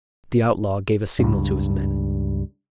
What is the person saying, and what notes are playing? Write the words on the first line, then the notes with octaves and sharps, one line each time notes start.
The outlaw gave a signal to his men.
C#2 G2